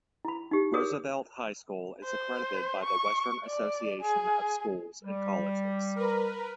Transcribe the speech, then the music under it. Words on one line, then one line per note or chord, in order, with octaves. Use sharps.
Roosevelt High School is accredited by the Western Association of Schools and Colleges.
E4 B5
D#4 G4
G#4 A#4 C#5 D#6
C5
C#6
D5
G#4
G3
A#4 B4